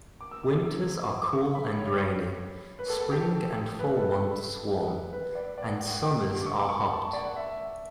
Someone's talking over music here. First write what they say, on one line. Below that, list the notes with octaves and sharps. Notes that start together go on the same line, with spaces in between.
Winters are cool and rainy, spring and fall months warm, and summers are hot.
D6
E6
D6
D6
E6
D6
C#6
B5
C#5
B4
A4
A4
G4
A4
B4
A4
B4
B4
D5
D5
F#5
G5
F#5
G5
D6
C#6
D6
C#6
C#6
A5
D5
F#5
E5